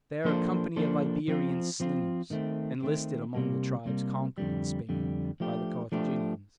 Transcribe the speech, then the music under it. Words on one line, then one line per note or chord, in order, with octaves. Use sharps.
They are a company of Iberian slingers, enlisted among the tribes conquered in Spain by the Carthaginians.
F3 A#3 D4 A4 C5
F3 A#3 D4 A4 C5
F3 C4 F4
F3 C4 F4
D#3 A3 C4
D#3 A3 C4
C3 G3 A#3
C3 G3 A#3
F2 D3 G3
F2 D3 G3
F3 A3 D4 G4
F3 A3 D4 G4